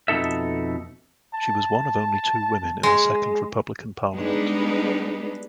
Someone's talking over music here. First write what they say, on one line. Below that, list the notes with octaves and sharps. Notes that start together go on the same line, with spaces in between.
She was one of only two women in the Second Republican parliament.
F2 B2 D#4 A4 E5
A5
G#3
G3 G#3 B3 D4 D#4 B4